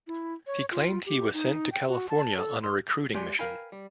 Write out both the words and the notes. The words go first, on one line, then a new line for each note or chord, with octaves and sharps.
He claimed he was sent to California on a recruiting mission.
E4
C#5
F4
G4
D#4
G5
F#4
A5
A4
C6
G#3 G4 D5 G#5
A#4 B4 F5 G5 G#5 B5
G3